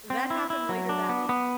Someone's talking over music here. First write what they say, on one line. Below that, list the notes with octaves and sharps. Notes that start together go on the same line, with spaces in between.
that happened later that week,
C4
E4
E4
F#3
D4
B3
B3